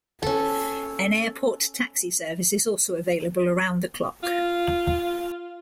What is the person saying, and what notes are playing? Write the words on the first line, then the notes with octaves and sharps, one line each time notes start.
An airport taxi service is also available around the clock.
C#4 A4
F4